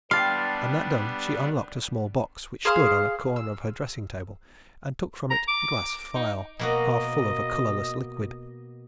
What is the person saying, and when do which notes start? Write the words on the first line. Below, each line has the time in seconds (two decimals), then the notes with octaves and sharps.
And that done, she unlocked a small box which stood on a corner of her dressing table, and took from it a glass phial, half full of a colourless liquid.
0.11 G3 B3 D4 G4 F5 A5 C6
2.65 G#4 C5 F5 C6
3.36 E6
5.30 A#5
5.48 D6
6.15 D#4
6.59 B2 A#3 F#4 D#5